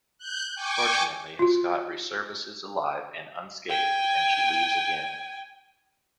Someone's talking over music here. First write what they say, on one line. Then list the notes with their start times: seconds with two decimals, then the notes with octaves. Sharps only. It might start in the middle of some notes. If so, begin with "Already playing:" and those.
Fortunately, Scott resurfaces alive and unscathed and she leaves again.
0.18 F#6 G6
0.55 G5 G#5 C#6 D6
1.39 F4 F#4
3.69 G5 G#5